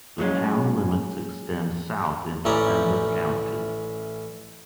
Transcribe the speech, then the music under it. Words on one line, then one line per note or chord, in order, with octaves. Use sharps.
The town limits extend south into Pender County.
A#2 F#3 G#3 C#4
A1 E3 C#4 D5 A#5